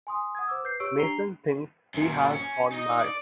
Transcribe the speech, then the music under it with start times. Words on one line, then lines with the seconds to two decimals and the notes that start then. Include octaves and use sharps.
Mason thinks he has gone mad.
0.07 G#5 C6 D#6
0.35 F#5 D#6 G#6
0.48 C5 D6 E6
0.64 B4 G6 C7
0.80 G4 C#5 C#6 E6 D7
0.99 D4 A#5 A#6 C7 F7 G7
1.94 F#2 A#2
2.30 C#4
2.72 D#4 D#5
3.01 D5